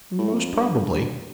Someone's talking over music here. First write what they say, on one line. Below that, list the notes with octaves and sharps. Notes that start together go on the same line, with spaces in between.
"Most probably."
A2
F2
G2